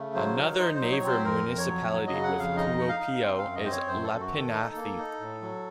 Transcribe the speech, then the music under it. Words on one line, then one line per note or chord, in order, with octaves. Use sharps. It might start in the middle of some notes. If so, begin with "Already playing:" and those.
Another neighbour municipality with Kuopio is Lapinlahti.
Already playing: C#3 A3
F#3 C5
D#4 A#4
D#4 C5
C5
F#3
C#5
C4
C5
F2 A#4
F2
C#5
F#3
F#3
D#5
C#3
F#5
F2
F5
D#4 D#5
D#4
F5
D#4
C4
F5
F#2
D#5
C4 C5
C#5
F#2 C5
A4
F#2
F#4
D#3
A4
D#4
A#3
D#4
A2
F#3